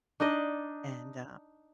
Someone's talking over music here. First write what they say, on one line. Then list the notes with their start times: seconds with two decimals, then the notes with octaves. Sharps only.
and uh
0.20 D4 D#4 D5 D#5